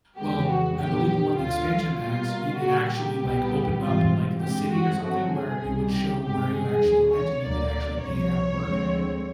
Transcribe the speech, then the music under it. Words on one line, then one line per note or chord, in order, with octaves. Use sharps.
Well, I believe in one of the expansion packs, yeah, it actually, like, opened up, like, the city or something where it would show where you actually went and you could actually be at work.
F2 C#3 E3 G#3 B3 G4
F#4
A#2 F#3 B3 G4
G4
D2 D3 F#3 A3 F4
B2 G3 A#3 F4
A#2 G3 A#3 F#4
G4
C2 A#2 G3 B3
G#2 E3 G3 C4 F4
G2 D#3 G#3 C4 G4
F#4
G2 D3 F#3 A3 C4 F#4
G#4
C2 C3 D#3 G3
G4
G2 D#3 G#3 C4 G4
G#4
D2 D3 F#3
C#5
D2 D3 F#3 A#3 D5
C2 C3 F3 C#5
D2 D3 F3 G#3 C4